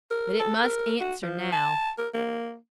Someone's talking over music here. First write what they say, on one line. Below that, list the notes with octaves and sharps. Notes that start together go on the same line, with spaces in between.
But it must answer now.
A#4
A4
A#4
F#4
F3
A5
A#4
A#3